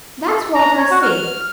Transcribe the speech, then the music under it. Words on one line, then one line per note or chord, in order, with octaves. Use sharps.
That's what I say.
A#5
C#5
F#4
F6